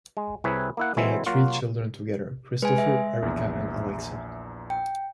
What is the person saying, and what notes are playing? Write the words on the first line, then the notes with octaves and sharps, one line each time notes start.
They had three children together, Christopher, Erika and Alexa.
G#3
C2 C3 E4 G#4 B4 C#5
A#3 E4 F#5
E3 F#3 G#3 C4 E4
F#3 A#3 F4 F#4
G#3 B4 G#5
E5
A#1 E2
G5